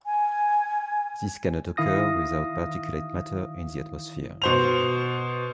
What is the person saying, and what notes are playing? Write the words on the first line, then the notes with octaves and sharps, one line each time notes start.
This cannot occur without particulate matter in the atmosphere.
G#5
D#3 E4 F5 D#6 A#6
B2 C5 F7